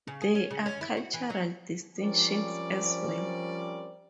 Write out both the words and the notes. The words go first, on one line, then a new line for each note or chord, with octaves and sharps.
There are cultural distinctions, as well.
C#3
G#4
C#4
C#3
C#4
E4
F#4
E3
F#3
F3 G3 C4 C#4 A#4 D5